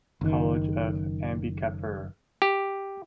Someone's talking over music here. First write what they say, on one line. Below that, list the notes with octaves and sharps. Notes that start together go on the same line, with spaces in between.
College of Ambikapur.
F#1 D#3
G4